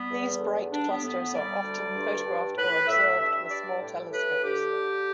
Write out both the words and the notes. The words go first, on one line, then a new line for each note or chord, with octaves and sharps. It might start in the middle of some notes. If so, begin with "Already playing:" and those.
These bright clusters are often photographed or observed with small telescopes.
Already playing: G3 B3
E2
D3
G3 D4
B3
A2 B3
B3
G3 D5
D2
G2
G2
A2 B4
A2 E5
G2 E5
G3 D5
A2
A2 B4
D3 G4
D3